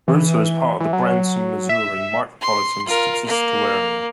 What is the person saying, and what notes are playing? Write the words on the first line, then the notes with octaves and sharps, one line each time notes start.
Rueter is part of the Branson, Missouri Micropolitan Statistical Area.
E3
E3
F#3
E5
C6
F4 A#4
A#3